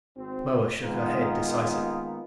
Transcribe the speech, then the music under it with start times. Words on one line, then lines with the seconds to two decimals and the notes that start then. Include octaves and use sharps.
Moa shook her head decisively.
0.15 G#1 C4
0.83 D#3 G#3 A#3 B3 D#4 F4